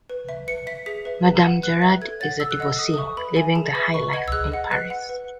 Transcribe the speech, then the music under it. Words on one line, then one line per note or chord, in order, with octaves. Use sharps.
Madame Gerard is a divorcee living the high life in Paris.
B4
E5
B4 C#7
E5 B6
G#4 B6
B4 E5
B4
F#5
B4 F#6
E5
A4 G#6
C#5 F#5 A6
A4 E6
F#6
D#5 F#5 E6
A4 D#6
D#6
E5 C#6
B4 B5
E5 G#5
G#4 A5
B4 E5 B5
B4 C#6
D#5 F#5 G#6
E6
G#4 F#6
D#5 F#5
B4 F#6
F#5
B4